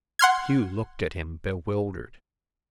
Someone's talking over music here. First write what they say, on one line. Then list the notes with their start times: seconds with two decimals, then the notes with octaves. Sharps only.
Hugh looked at him bewildered.
0.19 F#5 C6 F6 G#6